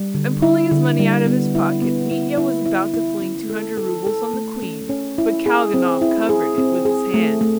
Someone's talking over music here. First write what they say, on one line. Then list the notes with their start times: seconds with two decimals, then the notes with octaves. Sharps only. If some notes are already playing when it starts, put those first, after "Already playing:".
And pulling his money out of his pocket, Mitya was about to fling two hundred roubles on the queen, but Kalganov covered it with his hand.
Already playing: G3
0.14 D3
0.42 E4
0.71 D3
0.99 G3
1.26 B3
1.55 E4
1.82 B3
2.11 E4
2.38 E4
2.66 E4
2.94 E4
3.21 C#4
3.50 A4
3.77 A4
4.06 A4
4.33 A3
4.62 C#4
4.89 C#4
5.18 E4
5.46 G#4
5.74 C4
6.02 E4
6.29 G#4
6.58 C4
6.85 G#4
7.14 A3
7.41 A3